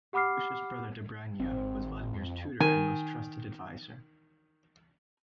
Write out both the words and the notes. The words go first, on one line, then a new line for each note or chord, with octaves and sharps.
Malusha's brother Dobrynya was Vladimir's tutor and most trusted advisor.
G4 F#5 B5 D6 F6 C7
G#1 C4
F2
D#3 G#5